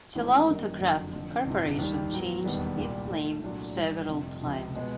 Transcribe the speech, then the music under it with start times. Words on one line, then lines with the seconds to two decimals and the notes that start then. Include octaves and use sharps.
Telautograph Corporation changed its name several times.
0.15 G#1 G#2 E3 A3 C4
0.48 F#2 D#3 G3 A#3 D#4
0.80 F#1 F2 D3 F#3 A#3
1.13 F1 F2 D3 F3
1.46 G1 F2 C3 E3
1.79 D#2 D#3 G3
2.12 A2 F#3 B3
2.44 E1 D#2 D#3 G3 B3
2.77 C2 A#2 G3
3.10 G#2 F3 A3
3.43 C2 A#2 F#3 A3 D4
3.75 G1 G2 E3 G3
4.08 F1 F2 C3
4.41 C#2 C3 F3
4.75 B2 G#3 B3